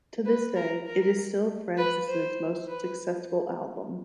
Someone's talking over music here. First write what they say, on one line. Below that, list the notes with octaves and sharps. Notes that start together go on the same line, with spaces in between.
To this day, it is still Francis' most successful album.
B4
A#4
A#4
B4
C5
B4